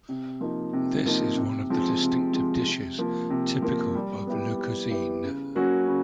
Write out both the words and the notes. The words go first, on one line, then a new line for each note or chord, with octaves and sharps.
This is one of the distinctive dishes typical of Lu Cuisine.
C3
F3 A#3 D#4
C3
F3 A#3 D#4
C3
F3 G#3 C4
C3
F3 G#3 C4
C3
F3 A#3
C3
F3 A#3
G3
B3 E4 G4
G3
B3 E4 G4
C#3
F#3 A#3 C#4 F#4
C#3